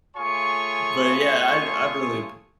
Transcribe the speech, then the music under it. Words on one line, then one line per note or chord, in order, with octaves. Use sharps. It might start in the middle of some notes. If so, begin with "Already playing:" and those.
but, yeah, I I've really ap
A3 F4 G#4 C#5 G#5 C#6